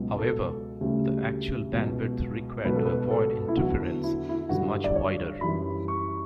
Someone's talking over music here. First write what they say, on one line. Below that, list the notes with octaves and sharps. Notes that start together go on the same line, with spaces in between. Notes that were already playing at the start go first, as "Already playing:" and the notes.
However, the actual bandwidth required to avoid interference is much wider.
Already playing: C#2 B2 F#3
A4
D2 C#3 G3
C#2 B2 F#3
C#2 B2 F#3 B4
A4
B4
A4
E4
E2 D3 F#3 F#4
E4
E4
G2 D3 F#3 F#4
D5
C#5
F#2 E3 G3 B5
C#6